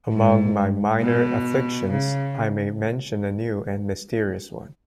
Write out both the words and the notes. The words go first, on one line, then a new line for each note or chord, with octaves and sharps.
Among my minor afflictions, I may mention a new and mysterious one.
G#2
B2
C#3